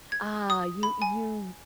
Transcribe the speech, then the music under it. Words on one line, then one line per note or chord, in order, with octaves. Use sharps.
Ah, you you
G#6
D#6
B5
G#5